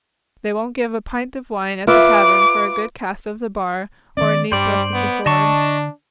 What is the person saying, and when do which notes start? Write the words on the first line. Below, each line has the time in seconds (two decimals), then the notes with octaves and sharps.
They won't give a pint of wine at the tavern for a good cast of the bar or a neat thrust of the sword.
1.87 F4 B4 E5 D6
4.17 D#3 B3 C#4 D5
4.52 G2 G3 C5 D5
4.93 B3
5.26 D3 D4 D#5 A5 C#6